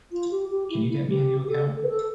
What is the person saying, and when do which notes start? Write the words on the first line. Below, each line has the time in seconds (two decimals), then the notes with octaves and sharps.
Can you get me a new account?
0.12 F4
0.31 G4
0.50 G4
0.70 E4
0.90 E4
1.09 G4
1.44 G4
1.49 A4
1.83 B4
1.88 A4